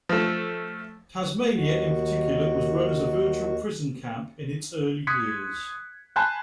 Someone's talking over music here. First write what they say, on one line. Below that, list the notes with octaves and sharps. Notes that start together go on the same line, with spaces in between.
Tasmania in particular was run as a virtual prison camp in its early years.
F3 A3
D#2 D#3 F#4
C6 D#6 F#6 G#6 B6 C#7
G#5 A5 B5 C6 F#6 G6